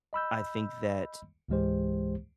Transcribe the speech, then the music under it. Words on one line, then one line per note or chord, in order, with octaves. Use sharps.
I think that
D#5 B5 E6 G6
C#2 G#2 E3 G#3 G4 C5